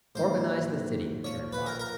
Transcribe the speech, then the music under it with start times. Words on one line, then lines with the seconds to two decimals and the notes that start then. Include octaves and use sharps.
"Organize the city," she replied.
0.15 G#2 D#3 F#3 A#3 C5
1.24 A#2 F3 A#3 C#5
1.53 B4
1.66 A#4
1.79 A#4